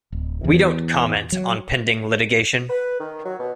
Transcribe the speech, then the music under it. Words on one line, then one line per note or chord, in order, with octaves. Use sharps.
We don’t comment on pending litigation.
D1
E2
F#3
B4
D#3
F#3
B2